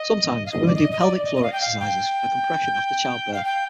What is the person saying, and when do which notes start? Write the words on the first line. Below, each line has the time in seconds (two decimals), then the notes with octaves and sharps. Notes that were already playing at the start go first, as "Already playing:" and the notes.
Sometimes women do pelvic floor exercises for compression after childbirth.
Already playing: D#5
0.46 F5
0.51 D#5
0.66 D5
0.75 D#5
0.91 D#5
1.00 D5
1.24 D#5
1.36 D#5
1.43 F5
1.53 G5
1.61 F5
1.80 G5
3.34 F5
3.44 G5